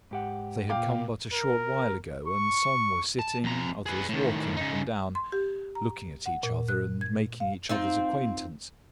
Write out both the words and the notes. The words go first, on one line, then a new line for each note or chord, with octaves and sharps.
They had come but a short while ago, and some were sitting, others walking up and down, looking at each other, and making each other's acquaintance.
G#2 G4 F#5
A#2 F5 G5 D6
A#4
C#6
A5
F2 A#5
G#4 B4
A2 D#3
C#3 D#4
C6
G4
A#5
F#5
A#2
F#6
G#6
F5
C4 D#4 F4